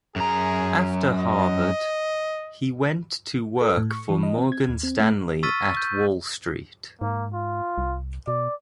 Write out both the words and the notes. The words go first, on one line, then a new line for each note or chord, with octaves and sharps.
After Harvard, he went to work for Morgan Stanley at Wall Street.
F#2 G#4 A#5
D#5
A4
A2
C#6
E3
D#5
C4
G#6
D#2
C4
A3
C#6 E6 F6 A6 B6 D#7
G6
G#2 A#3
F4
C2
B2 D5